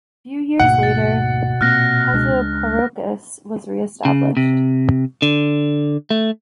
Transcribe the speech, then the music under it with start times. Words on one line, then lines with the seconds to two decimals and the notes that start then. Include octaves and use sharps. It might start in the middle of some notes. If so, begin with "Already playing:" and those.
Few years later, Pezoporikos was re-established.
0.60 D2 G#2 B2 A#3 F#5
0.83 A6
1.61 A#2 A#3 C4 F6 F#6 A#6
2.13 C#2 G#3 D4
4.05 C#3
4.37 C3
5.22 D3
6.11 A3